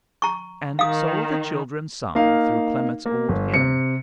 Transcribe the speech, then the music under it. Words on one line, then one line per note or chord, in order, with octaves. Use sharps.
And so the children sung through Clement's old hymn.
A#5 C#6
D#3 F5 D#6
A#3 D#4 F5
A#3
G1
C3 C#7